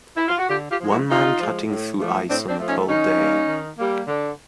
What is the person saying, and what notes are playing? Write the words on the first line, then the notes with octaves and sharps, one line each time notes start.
One man cutting through ice on a cold day.
E4
F4
F#4
D3 F4 G4
F4 G4
F3 G#3
E4 F#4
D3 D#4 F4
F3 G#3
A2
F3 A3
A2 C4 D4
C4 D4
F3 A3
C#4 D#4
D#3 C#4 D#4
G3 A#3
D#3
G3 A#3
D3